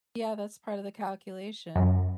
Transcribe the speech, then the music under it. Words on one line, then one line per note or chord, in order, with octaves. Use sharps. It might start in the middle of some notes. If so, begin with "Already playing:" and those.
yeah, that's part of the calculation,
F#2